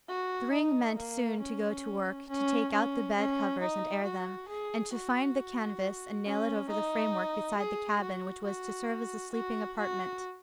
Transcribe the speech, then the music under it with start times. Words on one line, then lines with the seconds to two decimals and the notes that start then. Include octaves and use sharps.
Thryng meant soon to go to work, to take out the bed covers and air them, and to find the canvas and nail it over the framework beside the cabin which was to serve as a sleeping apartment.
0.09 F#4
0.52 D#4
0.97 A#3
1.40 C#4
2.29 C#4
2.72 C#4
3.17 C#4
3.61 D#4
4.04 F#4
4.48 G#4
4.94 F#4
6.25 C#4
6.70 D#4
7.57 G#4
8.02 F#4
8.45 F#4
9.33 F#4
9.77 F#4